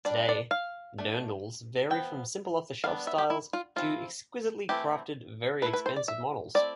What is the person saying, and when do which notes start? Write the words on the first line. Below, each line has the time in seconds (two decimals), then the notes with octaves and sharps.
Today, dirndls vary from simple off-the-shelf styles to exquisitely crafted, very expensive models.
0.05 G3 D4 D5
0.29 D5
0.51 F5
0.98 A3 D4
1.90 F3 B3 E4 G5
2.84 G3 B3 D4 F5
3.07 E5
3.18 G4
3.30 E4
3.53 F4
3.76 F3 C4 E4 F4
4.69 E3 A3 C4 E4 G4
5.62 A3 B4
5.66 E4
5.73 B4
5.86 C5
5.96 D5
6.08 E5
6.55 A3 C4 E4 D5